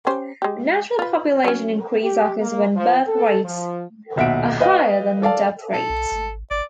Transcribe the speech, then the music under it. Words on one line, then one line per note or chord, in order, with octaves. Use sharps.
A natural population increase occurs when birth rates are higher than death rates.
C#4 G4 C5
G#3 G4
F4 B4
F#3 C#4
G4
A#3
F3
A4
F3
D#1 B1 E5 F#5 D7
B4 D#5 F5 G5
A4 D5 F5 A5
A4
B1
G#1
G#1 D5